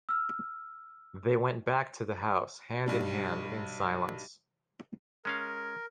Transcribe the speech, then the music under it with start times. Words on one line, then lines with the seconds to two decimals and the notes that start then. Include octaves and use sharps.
They went back to the house, hand in hand, in silence.
0.09 E6 F6
2.86 B1 G2 G3
5.25 G#3 C#4 A#4 F5